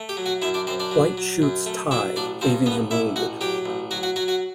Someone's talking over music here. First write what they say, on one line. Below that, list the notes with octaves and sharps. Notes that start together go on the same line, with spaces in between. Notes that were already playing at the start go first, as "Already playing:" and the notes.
White shoots Tai leaving him wounded.
Already playing: A3
G4 G5
F#3
F#4 F#5
F#2 E4 E5
D4 D5
F#2 C4 C5
D4 D5
F#3
F#3
F#2
A3
F#3 E4 E5
A1 D4 D5
G2 C4 C5
A1 B3 B4
A1 E4 E5
A1 F#4 F#5
F#3 G4 G5
A1
F#3 F#4 F#5
F#4 F#5
F#3 F#4 F#5
F#4 F#5